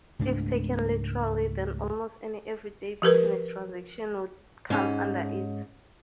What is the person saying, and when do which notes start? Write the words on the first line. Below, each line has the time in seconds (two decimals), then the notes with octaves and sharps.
If taken literally then almost any everyday business transaction would come under it.
0.19 C#2 G#2 A3 D4
3.02 F3 G4 A#4 B4
4.70 G#2 C#4